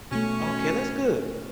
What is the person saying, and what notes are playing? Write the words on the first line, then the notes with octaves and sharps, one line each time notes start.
Okay, that's good.
B2 A3 C#4